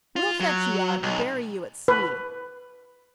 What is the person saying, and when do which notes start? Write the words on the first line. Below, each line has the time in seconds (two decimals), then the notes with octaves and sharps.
"We'll fetch you out and bury you at sea."
0.16 F4
0.40 F#3
1.03 B1
1.88 B4